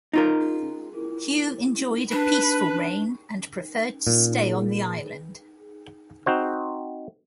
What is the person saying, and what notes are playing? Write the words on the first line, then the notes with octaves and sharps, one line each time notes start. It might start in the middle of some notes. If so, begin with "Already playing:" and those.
Hugh enjoyed a peaceful reign, and preferred to stay on the island.
D#4 F4 A#4
D4 B4
A#2
C4 D#4 F#4 C5